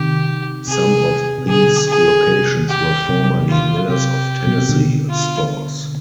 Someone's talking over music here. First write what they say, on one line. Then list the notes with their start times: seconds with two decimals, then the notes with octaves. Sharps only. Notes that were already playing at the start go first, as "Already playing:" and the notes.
Some of these locations were formerly Miller's of Tennessee stores.
Already playing: C3 D#3 G4
0.68 C3 G#4
1.39 C3
1.48 B2 D3 G#4
1.88 G#4
2.28 C3
2.68 G4
3.09 C3
3.49 F4
3.89 C3 G4
4.47 B2
4.58 C3
4.69 B2 D3
5.09 F4